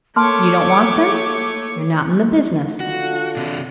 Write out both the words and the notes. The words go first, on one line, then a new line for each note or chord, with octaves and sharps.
You don't want them--you're not in the business.
A3 A#3 C#5 A5 C6 D6 F6
D3 F4 F#4
C3 D4